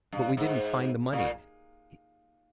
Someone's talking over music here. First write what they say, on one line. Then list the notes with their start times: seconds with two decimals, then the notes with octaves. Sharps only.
But we didn't find the money in it.
0.12 G2
0.37 G#2
1.13 A#2